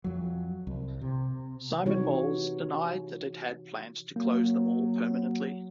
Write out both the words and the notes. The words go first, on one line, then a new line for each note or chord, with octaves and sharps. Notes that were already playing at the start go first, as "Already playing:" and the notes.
Simon Malls denied that it had plans to close the mall permanently.
F2 F#3
C2
C3
C3 E3 D#4 E4 F#4 C#5
F#3 A#3